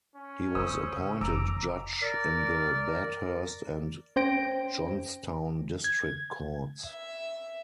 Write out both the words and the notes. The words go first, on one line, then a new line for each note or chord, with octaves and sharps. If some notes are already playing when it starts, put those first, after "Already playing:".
He was appointed judge in the Bathurst and Johnstown District courts.
C#4
C#3 C4 C5 D#6 E6
F1 A#5 D6 E6 D7
A#4 D5
C#4 C5 G5 A#6 D7
G#6
E5